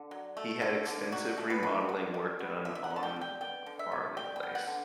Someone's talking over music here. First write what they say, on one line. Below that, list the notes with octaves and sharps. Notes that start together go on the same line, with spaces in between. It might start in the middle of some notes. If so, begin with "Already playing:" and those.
He had extensive remodelling work done on Firle Place.
Already playing: D3
F#3
A3
D3
D3
F#3 F#4
A3
B4
D3
D3
G3
B3
D3 E5
E5
F#5
D3
A5
G5
G3
G5
B3 G5
D3
E5
D3
G3 G5
G5
B3
F#5
D3